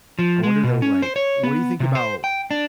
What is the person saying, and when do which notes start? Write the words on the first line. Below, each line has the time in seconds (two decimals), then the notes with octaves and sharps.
I wonder, though, like, what do you think about
0.19 F3
0.43 G#3
0.63 B2
0.82 C#4
1.02 C5
1.16 C#5
1.43 B3
1.80 C3
1.95 C5
2.24 G5
2.51 D4